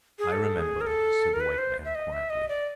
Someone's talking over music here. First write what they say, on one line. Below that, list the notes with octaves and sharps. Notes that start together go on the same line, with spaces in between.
"I remember," said the white man, quietly.
G#4
A4
G#4
A#4
A4
A#4
B4
C5
E5
D#5
E5
D#5
D5